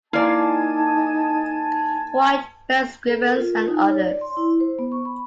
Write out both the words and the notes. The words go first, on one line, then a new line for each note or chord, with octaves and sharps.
White, Ben Scrivens and others.
A#3 D#4 E4 D5 G#5 A5 G#6
A4
A#4
F4
D#4
C#5
D5
C6
E4
C5
B3
C#6
B5